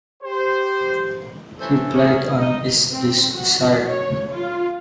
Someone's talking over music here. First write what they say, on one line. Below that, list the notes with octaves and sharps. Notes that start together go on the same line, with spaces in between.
He played on Is This Desire?
G4 C5
E3 C#4 A4 C5 C#5 A5
C#4 G#4
D#4 D#5
C4
F#4
C#5
F4